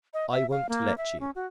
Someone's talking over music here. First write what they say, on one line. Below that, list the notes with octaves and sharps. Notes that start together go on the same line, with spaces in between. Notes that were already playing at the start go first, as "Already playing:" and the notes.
I won't let you.
D#5
E5
F5
A#3
E5
C#4
F#4